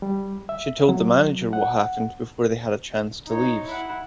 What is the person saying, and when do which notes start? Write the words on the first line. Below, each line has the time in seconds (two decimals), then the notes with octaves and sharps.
She told the manager what happened before they had a chance to leave.
0.02 G3
0.49 E5
0.89 F#3
1.53 F#5
3.27 D#4 C#5
3.66 E4 F#5